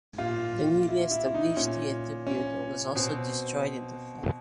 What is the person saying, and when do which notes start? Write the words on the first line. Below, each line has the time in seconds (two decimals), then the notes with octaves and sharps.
The newly established theater building was also destroyed in the fire.
0.18 A#2 F4
0.88 E4
1.11 E4
1.34 D#4
1.57 A#2 C#4
2.27 C#4
2.95 B2 C4